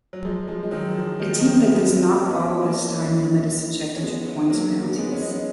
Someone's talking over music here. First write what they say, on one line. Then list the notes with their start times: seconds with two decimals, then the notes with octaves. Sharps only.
A team that does not follow this time limit is subjected to points penalties.
0.13 F#3
0.25 F3 G#3
0.47 F3 G#3
0.63 G#3
0.71 D#3 F#3
0.95 F3
1.19 D#3
1.29 F3
1.39 D#3
1.67 G#3 B3
2.14 D#4
2.22 C#4
2.30 B3 D#4
2.61 A#3 C#4
3.96 C#4
4.03 G#3 B3
4.50 F#3 A#3
4.98 G#3 B3
5.12 C#4
5.21 B3 D#4